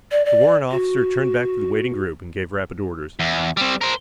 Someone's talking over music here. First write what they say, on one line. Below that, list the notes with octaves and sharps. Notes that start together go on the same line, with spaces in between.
The warrant officer turned back to the waiting group and gave rapid orders.
D5
D5
F#4
E2
G3 C4
A#4 C5